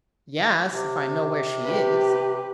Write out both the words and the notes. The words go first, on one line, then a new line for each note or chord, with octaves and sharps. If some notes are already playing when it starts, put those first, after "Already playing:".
"Yes, if I know where she is!"
C3
G4 B4